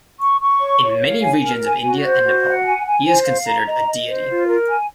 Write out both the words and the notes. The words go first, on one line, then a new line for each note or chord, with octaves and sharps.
In many regions of India and Nepal, he is considered a deity.
C#6
C#6
C#5
C#5
F5
G#5
A#4
G#5
F#4
C5
F#4
F#5
G#5
G#5
C5
F5
A#5
D#5
D#5
C5
F4
A#4
G#5